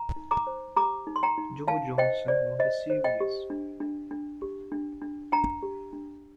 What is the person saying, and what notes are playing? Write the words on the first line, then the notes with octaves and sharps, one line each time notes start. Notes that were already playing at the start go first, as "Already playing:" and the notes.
Joe Johnson won the series.
Already playing: A#5
D#4
A#5 D6
C5
G4 A#5 D6
D#4
C6
G5 A#5
D#4
D#4 F5 A5
C5 D#5 G5
C5 D5
C5 D#5
C5
D#5 G5
G4
D4
D4
D4
G4
D4
D4
D4 G5 A#5
G4
D4